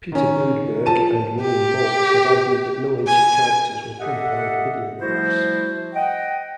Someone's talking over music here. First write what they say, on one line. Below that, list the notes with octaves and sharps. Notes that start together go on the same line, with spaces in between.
Peter Boodberg and William Boltz have argued that no ancient characters were compound ideographs.
D#3 C#4
F3 A5 D#7
G4
G#5
G4 A4 D#5 E5 F#5
F3 G3 A3 E4 F#4 C5
D#5 F#5 G5